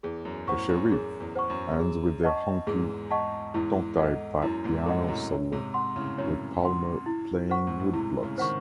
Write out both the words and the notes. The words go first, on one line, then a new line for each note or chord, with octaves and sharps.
"The Sheriff" ends with a honky tonk-type piano solo with Palmer playing woodblocks.
E2 G#4
F#2
F#2 A2 C5 F#5 C#6
F#2
F#2 G#4
E2
C5 F#5 C#6
F#2
G#4
D#5 F#5 A5 C#6
E2 G#2 G#4
D#5 F#5 A5 C#6
E2 G#2 E4
A4 D#5 F#5
F#2 E4
E2 G#2
F#2 A4 D#5 F#5
C3
F#2 A2
C#5
G#2 C3
F#5 C6
A2 C#3
F#2 A2 C#5
F#5 C6
E4
C5 F#5 C#6
G#2
A2
G#2 C3 E4
A2 C#3
D#3 C5 F#5 C#6